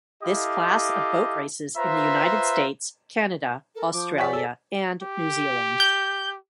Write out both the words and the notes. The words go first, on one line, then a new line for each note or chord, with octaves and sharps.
This class of boat races in the United States, Canada, Australia and New Zealand.
E4 G4 A4 D#5 F5 D6
F4 B4 C5 E5 A#5
A4 A#4
F3 D6
G#4 C#5 D5 F#5 G#5 C#6 B6
A4 E6
G4
G6